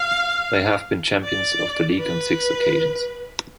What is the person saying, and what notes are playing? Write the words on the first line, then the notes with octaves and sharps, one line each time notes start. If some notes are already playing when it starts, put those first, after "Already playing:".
They have been champions of the league on six occasions.
Already playing: F5
D5
B4